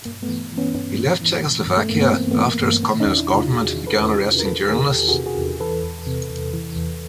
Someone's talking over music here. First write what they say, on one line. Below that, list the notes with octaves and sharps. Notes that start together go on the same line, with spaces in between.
He left Czechoslovakia after its Communist government began arresting journalists.
G2 A#3
A3 B3
E3
E3
B3 C#4
G2 B3 C#4
G2
E3
E3
G2
A3
G2 A#3
B3
E3 A#3 C4
A3 B3
E3
A#3
G2
A#3
D#3 A#3
C#4 D#4
E2
D4 E4
C3
D#4 F4
E2 F#4 G#4
D#3
A4 B4
E2
C3
A#4
E2 A4 B4
D#3 G#4 A#4
E2 G4 A4
F#4 G#4
C3
F#4 G#4
E2
E3 A4 B4
E2
C3
E2
E3
E2